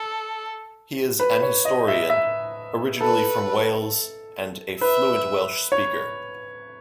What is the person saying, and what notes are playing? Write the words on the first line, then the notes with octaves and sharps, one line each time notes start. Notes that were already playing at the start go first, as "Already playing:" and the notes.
He is an historian, originally from Wales and a fluent Welsh speaker.
Already playing: A4
B4
C#5
D#5
E5
E5
A4 B4
B4 E5
C#5